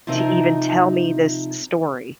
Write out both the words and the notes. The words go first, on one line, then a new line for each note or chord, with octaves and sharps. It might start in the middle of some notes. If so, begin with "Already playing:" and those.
to even tell me this story,
C3 F3 C4 D#4 A#4